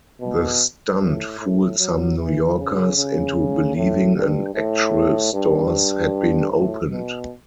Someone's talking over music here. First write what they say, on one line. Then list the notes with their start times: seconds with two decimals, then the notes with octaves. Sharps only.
The stunt fooled some New Yorkers into believing an actual stores had been opened.
0.21 B2
1.00 A2
1.39 A2
1.79 F#3
2.18 E3
2.58 C#3
2.97 C#3
3.76 A2
4.16 G2
4.55 A2
5.34 G2
6.52 A2
6.91 B2